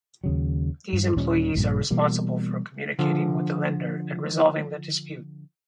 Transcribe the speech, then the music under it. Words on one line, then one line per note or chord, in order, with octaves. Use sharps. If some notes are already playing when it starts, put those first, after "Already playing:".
These employees are responsible for communicating with the lender and resolving the dispute.
D#2 C#3 F#3
G2
D#1 A#2 G3 C#4
A#1 G2 A#2
B2 E3 G3 A#3
D3 F3